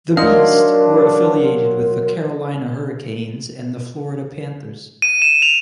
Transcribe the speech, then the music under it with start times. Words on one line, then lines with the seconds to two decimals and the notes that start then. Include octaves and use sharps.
The Beast were affiliated with the Carolina Hurricanes and the Florida Panthers.
0.17 F#3 D4 D#4 A#4 F5 C6
5.02 D#7
5.22 E7
5.42 F7